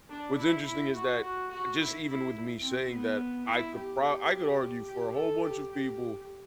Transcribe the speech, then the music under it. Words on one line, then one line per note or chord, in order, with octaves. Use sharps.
what's interesting is that just even with me saying that I could pro I could argue for a whole bunch of people
D4
E4
E4
F#4
F#4
F#4
E4
E4
C4
B3
E4
G4
G4
G4
A4
G4
G4